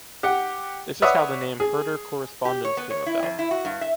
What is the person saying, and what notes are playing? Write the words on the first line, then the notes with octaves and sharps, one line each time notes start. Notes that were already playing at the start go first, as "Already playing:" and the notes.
This is how the name "Herder Korrespondenz" came about.
G4 F#5
B4 C#5 D5 E5 F#5 D#6
G#4
G4
C#5
B3
C#5
E4
F2
E4
F#4
G2
E5